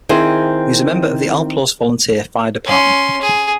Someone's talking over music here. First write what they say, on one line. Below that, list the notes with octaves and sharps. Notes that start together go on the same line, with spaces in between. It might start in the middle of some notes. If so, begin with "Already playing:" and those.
He was a member of the Alplaus Volunteer Fire Department.
D#3 C4 E4 G#4 C5
C#4 C6
G#4